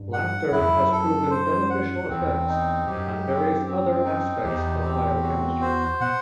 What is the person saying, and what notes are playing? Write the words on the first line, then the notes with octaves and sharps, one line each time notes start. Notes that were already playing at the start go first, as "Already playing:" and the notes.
Laughter has proven beneficial effects on various other aspects of biochemistry.
Already playing: G2
F#5
F#2 E4
E2
F#2
A4
C5
F#5
E2 C4
D#4
F#2 G4
C4
C4
D#4
E2 G4
C4
F#4
C5
B2 F#5